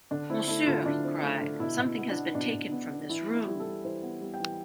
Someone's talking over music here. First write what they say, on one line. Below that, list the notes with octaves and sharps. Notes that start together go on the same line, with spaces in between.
"Monsieur," he cried, "something has been taken from this room."
D3 D4
C4 E4
A3 E4
D3 F4
D3 D4
C4
A3
D3
B2 E4
B2
E4
B3
D4
B3
B2 D4
B2
B3
B3
E3 E4
B3
E4
G3
A4
E3
E3 C5
B3
G3
G5
E3